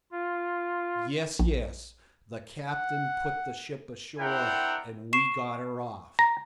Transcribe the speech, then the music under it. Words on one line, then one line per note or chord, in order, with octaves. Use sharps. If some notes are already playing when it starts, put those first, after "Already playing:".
"Yes, yes; the captain put the ship ashore and we got her off."
F4
A#1
F#5
C4 D4 E4 A#4 F#5 G5
C#6 C7 E7
A#5